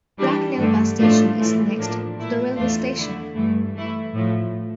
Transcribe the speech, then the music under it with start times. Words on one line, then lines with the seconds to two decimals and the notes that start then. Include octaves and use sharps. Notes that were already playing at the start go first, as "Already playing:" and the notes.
Bracknell bus station is next to the railway station.
0.18 E3 G3 D4
0.58 G2 D3 A3
0.97 A2 F3 A3 D4 F4
1.37 A2 E3 A3
1.77 A2 F3 A#3 D4
2.17 A#2 A3 E4
2.56 E2 E3 A3 D4 F4
2.95 D3 A3 E4
3.34 G2 E3 A3
3.74 E3 A3 E4
4.14 A2 F3 A3